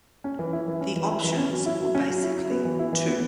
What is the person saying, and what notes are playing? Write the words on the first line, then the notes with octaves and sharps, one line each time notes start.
The options were basically two.
C#4
E3
E4
E3
C#4
E3
E4
E3
C#4
F#3
E4
F#3
C#4
F#3
E4
F#3
B3
E3
E4
E3
B3